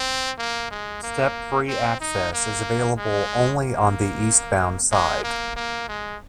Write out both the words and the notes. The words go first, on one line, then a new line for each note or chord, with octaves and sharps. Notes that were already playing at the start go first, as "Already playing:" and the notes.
Step-free access is available only on the eastbound side.
Already playing: C4
A#3
G#3
A#3
C4
D#4
A#3
G#3
A#3
G#3
A#3
A#3
G#3